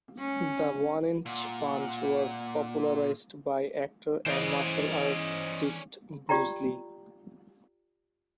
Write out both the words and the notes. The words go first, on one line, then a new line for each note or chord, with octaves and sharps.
The one-inch punch was popularised by actor and martial artist Bruce Lee.
C#4
A#2 F#5
E3 C#4 C5 D5 D#5
F4 G4 D5 G5 A#5